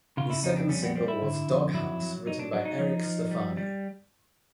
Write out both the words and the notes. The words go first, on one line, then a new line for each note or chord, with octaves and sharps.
The second single was "Doghouse", written by Eric Stefani.
C#3 F4
E4
F2 D#4
D4
G3 C#4
B3
G3 C4
E4
D3
F2
F#3 E4
F#3
F#3 D#4
D4
F#3 D4
D#4
F3
F3
G3
G3